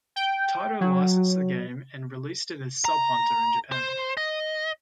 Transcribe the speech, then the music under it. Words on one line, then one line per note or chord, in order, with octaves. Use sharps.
Taito licensed the game and released it as Sub Hunter in Japan.
G5
F#3
A#5
C5
D#5